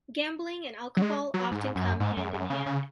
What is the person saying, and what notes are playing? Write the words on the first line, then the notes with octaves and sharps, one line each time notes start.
Gambling and alcohol often come hand in hand.
F#3
G#3
F#3
G#2
F#2
G#2
F#2
F#2
C#3
C#3